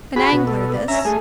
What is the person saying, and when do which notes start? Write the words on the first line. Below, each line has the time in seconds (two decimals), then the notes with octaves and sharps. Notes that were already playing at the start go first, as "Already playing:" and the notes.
An angler this.
0.16 F#4 G#4 B5
0.32 B2 F#4
0.46 A4
0.73 D5
0.88 C#4 E5 A#5
1.05 A3 G#4 G#5